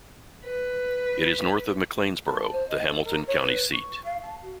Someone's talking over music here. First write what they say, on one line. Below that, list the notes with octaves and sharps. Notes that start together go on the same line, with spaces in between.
It is north of McLeansboro, the Hamilton County seat.
B4
A5
C5
D#5
A4
A#4
C#5
B4
C#6
F5
A5
F#4